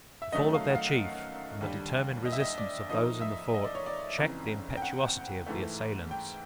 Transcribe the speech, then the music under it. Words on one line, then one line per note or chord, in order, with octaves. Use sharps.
The fall of their chief, and the determined resistance of those in the fort, checked the impetuosity of the assailants.
E5
F#2 D#3 F#3 A3 D#5
F5
F#5
F5
D#2 D3 G3
D#5
E5
D#5
D5
A2 F3 A#3 D#4 D#5
E5
D#5
D5
C#5
D5
F#1 F2 C#3 E3
G5
F#5
G#2 E3 A3
G5